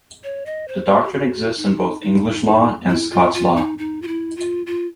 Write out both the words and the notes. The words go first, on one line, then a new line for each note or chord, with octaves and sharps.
The doctrine exists in both English law and Scots law.
C#5
D#5
C5
F#4
G4
F#4
D#4
D#4
D#4
E4
F4
F4
D#4
D#4
F4
E4
F4
F4